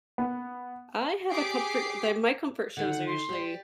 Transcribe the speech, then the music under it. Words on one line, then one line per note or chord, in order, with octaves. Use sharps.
I have a comfort the my comfort shows are usually
B3
G4 G#4 D6 B6 C7 D7
D3 D#3 F#5
C6
G4 D5